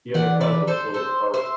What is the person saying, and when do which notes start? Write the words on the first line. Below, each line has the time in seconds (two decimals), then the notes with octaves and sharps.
The other cousins soon disperse.
0.14 E3 D5 F#5
0.41 B4 D5
0.67 A4 C5
0.94 A4 C5
1.34 C5 E5